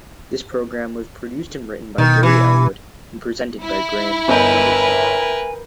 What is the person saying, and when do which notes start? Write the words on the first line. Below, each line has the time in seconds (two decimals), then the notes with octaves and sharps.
This programme was produced and written by Gary Ellwood and presented by Graeme Anderson.
1.98 B2 D#3
2.23 E3
3.62 E4
4.28 G1 A#4 B4 D#5 E5 G5 G#5 G6